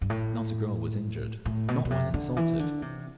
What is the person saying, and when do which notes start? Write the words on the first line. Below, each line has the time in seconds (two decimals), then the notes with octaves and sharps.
Not a girl was injured, not one insulted.
0.01 G2
0.10 A2
1.45 A2
1.68 B2
1.85 B2
1.91 C3
2.14 D3
2.37 E3
2.59 D3
2.82 C3